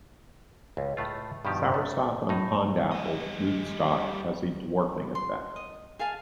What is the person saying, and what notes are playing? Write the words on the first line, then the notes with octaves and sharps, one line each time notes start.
Soursop on Pond-apple rootstock has a dwarfing effect.
C#2
A2 A3 F4
G2 B2 D#3 F3 G4
A3
A2 D#4
G3 D#5
C6
D#5
G#4 F5 G#5 A5